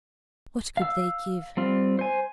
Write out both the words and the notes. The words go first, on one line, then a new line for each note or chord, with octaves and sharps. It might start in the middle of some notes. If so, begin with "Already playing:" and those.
What could they give?
F5 E6
G3 C4 F4
C5 G#5